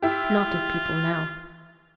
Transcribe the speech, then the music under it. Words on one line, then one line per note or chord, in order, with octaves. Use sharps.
"Not eat people now."
E4 F4 G4